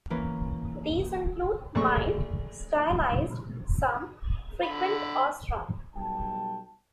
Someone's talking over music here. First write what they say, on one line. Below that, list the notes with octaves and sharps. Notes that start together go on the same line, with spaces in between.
These include: "mild", "stylised", "some", "frequent" or "strong".
E3 A#3 C#4 A#4 B4
A#1 A3 C#6
D3 B5
B1 G3 G5 A5